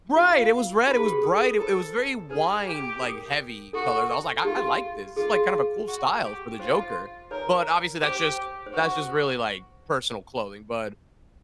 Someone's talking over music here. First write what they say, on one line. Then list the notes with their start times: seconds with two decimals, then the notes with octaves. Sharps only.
Right. It was red. It was bright. It it was very wine, like, heavy colors. I was like, "I like this. This is kind of a cool style for the Joker." But, obviously, that's just that's just really, like, personal clothing. But
0.15 F4 F5
0.87 F#4 B4
0.98 G#4
1.05 G4
1.23 A4
1.42 A#4
1.59 A4 C5
2.30 G#4 B4
2.66 G4
3.02 A#4
3.73 F#4 A4
4.45 F4 G4
5.17 F4 G#4
5.88 F#4
6.24 G4
6.60 F4 C5
7.31 A#4 B4 C#5
8.02 G4 C5
8.66 C5
8.74 F#4 B4